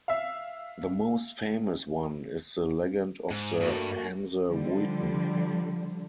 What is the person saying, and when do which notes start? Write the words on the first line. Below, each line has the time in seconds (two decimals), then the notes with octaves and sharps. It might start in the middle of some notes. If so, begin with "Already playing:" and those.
The most famous one is the legend of the "Hamse Wuiten".
0.08 E5 F5
3.31 G#2
3.60 G2 A3 A#3 F#4
4.51 D3 F3 G3